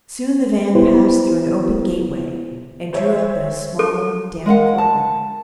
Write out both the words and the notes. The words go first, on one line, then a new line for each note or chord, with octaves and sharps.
Soon the van passed through an open gateway, and drew up in a small, damp courtyard.
B3 E4 G4 B4 C5
C5 C#5 E5
A4
G#3 A#4 F5 F#5
A5